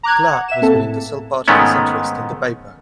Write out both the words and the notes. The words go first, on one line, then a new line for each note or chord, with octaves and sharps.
Clarke was willing to sell part of his interest in the paper.
A#5 D6 F#6 G#6
F#5
E5 E7
A#3 C4 A4 A5
A2
G#2 D#3 G#3 A3 B3 C#4